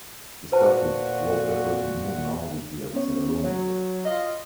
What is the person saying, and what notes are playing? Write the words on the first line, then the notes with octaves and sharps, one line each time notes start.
The static wallpapers move now with the accelerometer.
A#2 F#4 B4 C5 A5
B3 C#4 C#5
F#3 C#5
F4 D#5